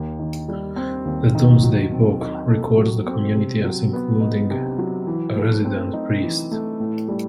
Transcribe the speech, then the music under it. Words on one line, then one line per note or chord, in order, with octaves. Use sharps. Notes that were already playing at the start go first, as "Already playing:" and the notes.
The "Domesday Book" records the community as including a resident priest.
Already playing: D#2
D#3
G3
C4
D#2
D#3
F#3
C4
D#4
A4
F#3
C4
C3
F#3
B3
D#4
C3
F#3
E3
A3
C4
D#4
E3
A3
A2
G3